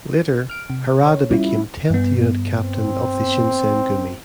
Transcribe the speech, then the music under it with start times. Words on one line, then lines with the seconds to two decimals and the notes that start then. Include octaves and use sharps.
Later, Harada became the tenth Unit Captain of the Shinsengumi.
0.50 F6 D7
0.70 C3
1.06 C#5
1.31 G3 C#4 E4 F4
1.90 G2 B3
2.58 C4